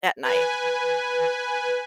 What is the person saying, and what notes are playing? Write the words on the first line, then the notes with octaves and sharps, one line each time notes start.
at night.
B4 G#5